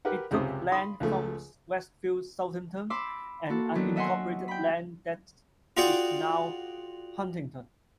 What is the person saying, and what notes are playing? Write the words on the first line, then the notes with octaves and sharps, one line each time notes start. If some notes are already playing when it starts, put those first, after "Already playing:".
It took land from Westfield, Southampton, and unincorporated land that is now Huntington.
G4 A#4 B4 F#5
C#2 F#2 C3 G4 C5 D#6
B5 C6 D#6
C#2 F3 A3
E5 B5 C6 D6 E6
A#3 F#4 A4
D#3 F#3 B3 D4 E4
D#5 E5 F#5 G#5 C6
G5 B5
F4 F#4 G#4 D5 F#5 G5